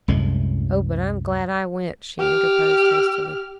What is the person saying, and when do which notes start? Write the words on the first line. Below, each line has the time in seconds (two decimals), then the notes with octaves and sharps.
"Oh, but I'm glad I went," she interposed hastily.
0.08 C2 F#2 A2 G#3
2.19 G4 F6